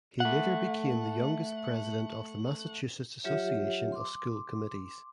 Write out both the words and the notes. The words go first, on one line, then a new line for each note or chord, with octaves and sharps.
He later became the youngest president of the Massachusetts Association of School Committees.
A3 F#5
F#3 F4 G4 C#5 E5
C6 D6